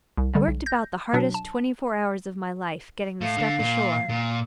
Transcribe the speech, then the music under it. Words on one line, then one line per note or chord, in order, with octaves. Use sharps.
I worked about the hardest twenty-four hours of my life getting the stuff ashore.
C2
D3 G3
B1
G6 A#6
B2 F#3 D4
A5
A2 F5
D3
A#2
A#2